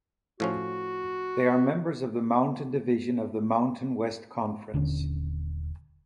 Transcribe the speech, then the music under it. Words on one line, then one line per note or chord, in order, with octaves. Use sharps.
They are members of the Mountain Division of the Mountain West Conference.
A2 F3 C#4 F#4
D#1 D3 C#4